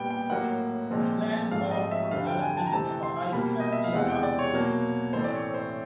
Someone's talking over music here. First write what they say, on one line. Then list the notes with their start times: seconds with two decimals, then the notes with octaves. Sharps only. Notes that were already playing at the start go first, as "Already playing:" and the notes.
The plan called for development of a high-capacity transit system.
Already playing: A#2 G3 B3 G5
0.11 G5
0.30 A2 F#3 A#3 F#5
0.90 A#2 F3 G#3 C4
1.51 G#2 F3 A3 C4 F5
1.71 D#5
1.91 E5
2.11 F2 D3 G3 F5
2.27 G5
2.42 G#5
2.57 A5
2.67 A#5
2.71 C3 E3 A3 C4 A5
3.03 C6
3.32 B2 G3 A#3 B5
3.60 D#5
3.73 E5
3.84 F5
3.92 E2 C3 E3 G#3 C4 F#5
4.08 G5
4.23 D5
4.39 C#5
4.53 B2 F#3 A#3
5.13 A2 E3 A3 C4 C5
5.24 D5
5.34 C#5
5.54 C5